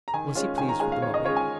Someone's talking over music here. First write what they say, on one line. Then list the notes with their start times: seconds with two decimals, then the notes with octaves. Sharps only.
"Was he pleased with the mummy?"
0.08 A#5
0.13 D#3 G#5
0.35 G#3 C#4 F4
0.58 D#3 G#5
0.69 A#5
0.80 G#3 C#4 F4 G#5
0.92 F5
1.02 D#3 C#5
1.14 D#5
1.25 G#3 C#4 F4 C#5
1.36 G#5